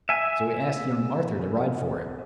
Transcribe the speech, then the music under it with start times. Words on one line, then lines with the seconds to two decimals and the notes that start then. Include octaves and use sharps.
So he asked young Arthur to ride for it.
0.09 E5 G#5